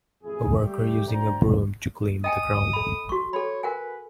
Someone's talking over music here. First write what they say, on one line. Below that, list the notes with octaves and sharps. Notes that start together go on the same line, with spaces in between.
A worker using a broom to clean the ground.
A1 F2 E4 G#4
G3 A3 G4
D2 C5 D5 G5 A#5
D#5 G5 G#5 D#6
A4 B5
F#4 C#6
A4 C#5 B5
A#4 B4 F#5 G#5